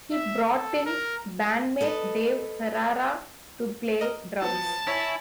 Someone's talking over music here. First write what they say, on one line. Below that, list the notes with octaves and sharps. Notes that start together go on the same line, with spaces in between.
He brought in bandmate Dave Ferrara to play drums.
E5
A4
A#4
A4 B4 D#5
A#4 D#5
F3 F#3 B3 A5
E4 C#5 G#5